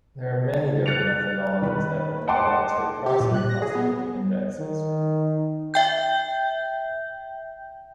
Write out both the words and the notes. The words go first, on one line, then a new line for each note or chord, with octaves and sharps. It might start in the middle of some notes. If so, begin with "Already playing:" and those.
There are many different methodologies that have been developed to approximate cost-of-living indexes.
F6 F#6 A6 C#7 F7
D#3 B4
D#5 F#5 G5 A5 C6 D6
G4
A#2
F#6
A#6
G#4
B3
D#3
E5 G5 G6